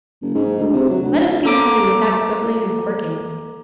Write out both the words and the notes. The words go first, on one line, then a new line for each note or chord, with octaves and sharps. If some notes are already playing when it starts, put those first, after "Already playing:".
Let us be happy without quibbling and quirking.
F#1
G#2
D2
C3
F#3
D2
A#3 A4 A#5 D6 D7